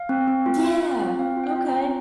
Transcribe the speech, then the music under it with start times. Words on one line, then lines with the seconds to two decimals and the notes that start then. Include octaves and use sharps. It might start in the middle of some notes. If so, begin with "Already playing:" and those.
Yeah, okay,
Already playing: F5
0.09 C4
0.28 C4
0.46 F4
0.65 F4
0.83 F4
1.01 C4
1.19 C4 F5
1.37 F4
1.44 G5
1.56 F4
1.67 A#5
1.74 C4